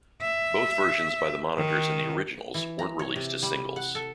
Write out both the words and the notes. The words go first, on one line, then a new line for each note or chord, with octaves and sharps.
Both versions by the Monitors and the Originals weren't released as singles.
E5
D#3
E3
A#5
C#5
C3
G3
F#5
A4